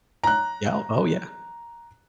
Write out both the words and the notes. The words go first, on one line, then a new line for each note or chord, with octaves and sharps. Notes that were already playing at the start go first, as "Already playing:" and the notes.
Yeah, oh yeah.
A#5 F#6